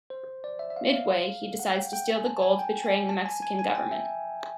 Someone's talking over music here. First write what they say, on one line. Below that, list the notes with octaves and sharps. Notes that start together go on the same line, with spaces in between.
Midway, he decides to steal the gold, betraying the Mexican government.
C5
D5
E5
E5
F5
F5
F#5
G5
G5
G#5
A5
A5
G#5
G5
G#5
A5
G#5
G#5
G#5
G5
E5